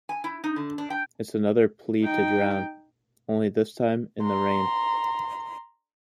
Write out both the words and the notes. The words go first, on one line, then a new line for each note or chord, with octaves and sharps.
It's another plea to drown, only this time in the rain.
G#5
E4
D#4
D3
D4
G5
D#4 G5
A#5 C6